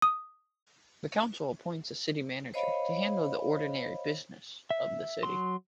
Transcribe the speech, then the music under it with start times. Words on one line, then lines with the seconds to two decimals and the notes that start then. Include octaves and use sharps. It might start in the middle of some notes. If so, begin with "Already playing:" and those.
The council appoints a city manager to handle the ordinary business of the city.
0.02 D#6
2.54 C5 C#5 D#5 F5 B5
4.70 E5
5.23 F#3 C6